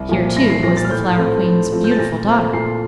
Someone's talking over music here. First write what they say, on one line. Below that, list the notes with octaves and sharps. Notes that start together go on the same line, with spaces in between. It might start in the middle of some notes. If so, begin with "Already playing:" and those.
Here, too, was the Flower Queen's beautiful daughter.
Already playing: C2
A#2 F3
C2 A#6
C7
A#2 F3 A#6
A6
F6
A2 G6
F3 A3 C4
A2
F3 A3 C4
G6
A6
A#2 A#6
A3 C4
A#2 C7